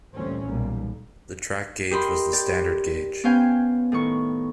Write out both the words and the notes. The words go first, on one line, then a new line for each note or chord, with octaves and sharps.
The track gauge was the standard gauge.
D2 A#2 E3 G3 C4 C#4
B1 A#2 G3 A#3
G4 A#4 D#5 B5 C6
G4 D5
B3 C#4 C5 F5 G5 G#5
A2 D#3 C#6